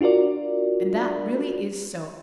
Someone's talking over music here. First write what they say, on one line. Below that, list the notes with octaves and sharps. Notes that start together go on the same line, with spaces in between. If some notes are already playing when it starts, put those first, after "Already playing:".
And that really is so.
D4 F4 F#4 A#4 D5